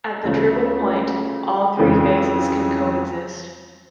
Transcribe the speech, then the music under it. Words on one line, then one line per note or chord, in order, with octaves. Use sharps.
At the triple point, all three phases can coexist.
D2 C#3 F3 A3
F2 C#3 E3 G#3 C4